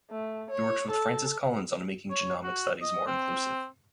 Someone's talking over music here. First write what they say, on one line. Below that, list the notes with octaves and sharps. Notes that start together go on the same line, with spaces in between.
He works with Francis Collins on making genomic studies more inclusive.
A3
C#5
A4
C#5
F#4
D#5
C4